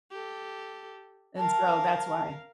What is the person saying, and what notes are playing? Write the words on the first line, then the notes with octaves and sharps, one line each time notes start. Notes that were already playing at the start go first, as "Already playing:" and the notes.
and so that's why.
G4 A4
A#4 F5 A5